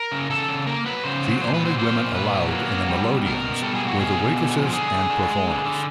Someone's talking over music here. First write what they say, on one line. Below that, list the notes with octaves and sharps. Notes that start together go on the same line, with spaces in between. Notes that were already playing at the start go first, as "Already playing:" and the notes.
The only women allowed in the melodeons were the waitresses and performers.
Already playing: A#4
C#3
C#3 A4
C#3
A#3 A#4
F#3 B4
C#3 C5
F#3
A#2 C5
B4
F#3
C5
A#3 C5
A#2
A#2 B4
F#3
A#3
F#3
G3
B2
B2 A#4
B2
G3 A4
G#4
A#3
F#4
B2 G#4
B2
D3
F3
D3 G#4
D3
D3
G#3
D3
D3